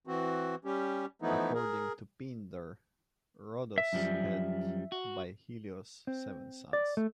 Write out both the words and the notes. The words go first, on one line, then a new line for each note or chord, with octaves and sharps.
According to Pindar, Rhodos had, by Helios, seven sons.
E3 C4 F#4
G3 C#4 G4
E3 F3 A3 B3 D#4 E4
G#4 A#4
E5
F#2 F3 G3
F#4
C4
D5
A3